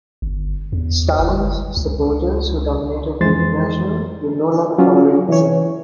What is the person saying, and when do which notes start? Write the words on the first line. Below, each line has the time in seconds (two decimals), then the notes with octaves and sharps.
Stalin's supporters, who dominated the International, would no longer tolerate dissent.
0.22 G1
0.72 E2
1.19 G1
1.77 C#2
3.21 F2 E3 G#3 C5 C6 A6
4.78 F#3 C#4 F4
5.29 E3 C#5